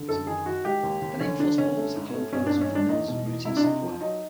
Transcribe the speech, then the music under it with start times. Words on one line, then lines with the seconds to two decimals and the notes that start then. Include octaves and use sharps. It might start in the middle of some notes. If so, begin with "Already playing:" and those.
The name "Fuzzball" was the colloquialism for Mills' routing software.
Already playing: D3
0.09 F#2 A4
0.27 D#3 G#4
0.46 D#3 F#4
0.65 G#3 G4
0.83 D#2
1.02 D#2
1.21 D3 C#4
1.39 D3 D4
1.58 D3 C#4
1.77 A3
1.96 G#2
2.14 A3
2.33 G2 C#4
2.46 G2 D4
2.61 C#4
2.70 D#3
2.75 D4
2.89 E2 D#4
3.08 B2
3.26 E2
3.45 C3 E4
3.57 D4
3.63 C3 D#4
3.82 F3
4.01 F#3 D#4